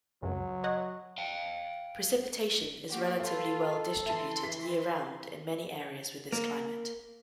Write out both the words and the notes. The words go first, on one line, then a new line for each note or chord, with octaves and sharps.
Precipitation is relatively well distributed year-round in many areas with this climate.
C#2 F#2 F#3
C#5 D#5 F#5
F5 G5
A#3 F#4 G4
F4 A4 B4 F5
E3 E5 A5 C6
B6
A#3